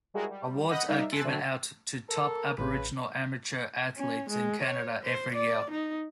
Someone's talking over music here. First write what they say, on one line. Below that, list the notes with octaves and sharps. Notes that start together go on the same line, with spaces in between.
Awards are given out to top Aboriginal amateur athletes in Canada every year.
G3 G#3 E4 F#4 G#4 A#4
G3
D#5 F#5 B5 D#6 G6 A#6
G3 D#4 A#4 D5 E5 F5
A4 G#5 C6 E6 F#6 A6
D3 F#3 A3 C4 D4
A4 A#4
A1 C#3 B4
C#4
G#3
C#5
C5
D5
D#4